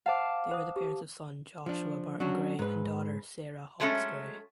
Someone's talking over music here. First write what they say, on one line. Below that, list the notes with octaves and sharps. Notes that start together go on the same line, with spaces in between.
They were the parents of son Joshua Barton Gray and daughter Sarah Hawkes Gray.
C5 F5 F#5 A5 D6
C5 D#6
G4
F3 D4
F#3 C#4 D4 F#4
G#2 B4
F#3 G#3 A3 B3 C#4